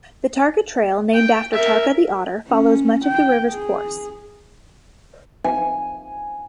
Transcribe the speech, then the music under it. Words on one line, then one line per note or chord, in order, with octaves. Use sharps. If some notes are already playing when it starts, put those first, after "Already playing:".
The Tarka trail named after Tarka the Otter follows much of the river's course.
G5
A#4 E5
C#4
G5
G#4
G#5